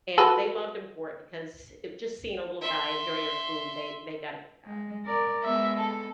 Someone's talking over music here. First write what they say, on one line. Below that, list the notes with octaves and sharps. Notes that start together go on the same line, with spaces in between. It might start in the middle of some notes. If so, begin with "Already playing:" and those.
and they loved him for it because it just seeing a little guy enjoy your food, they they got a kick out of it.
F#4 A4 B4
E5 C6
G#3
A#4 D5
G#3 B3 E5
A4